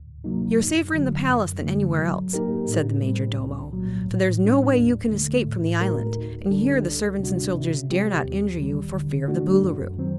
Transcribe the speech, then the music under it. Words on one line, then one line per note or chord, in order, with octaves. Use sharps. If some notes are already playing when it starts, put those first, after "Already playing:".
"You're safer in the palace than anywhere else," said the Majordomo, "for there is no way you can escape from the island, and here the servants and soldiers dare not injure you for fear of the Boolooroo."
Already playing: D2
C3 F#3 A#3 D#4
F#2
D3 F#3
F#2
D3 A3
F#3
A#3 D#4 G4 A#4
A2
G3 C4
C2
A#2 F#3
A2
G3 D4
D#2
D3 A3
A2
A3 D#4 F#4 A#4
D2
D3 G3 D4 A4
D2
C3 G3 D4 F#4
C3
G3 C4 G4
D#2
D#3 G3
D3
A3 D4 F#4
F#2
D#3 F#3 C4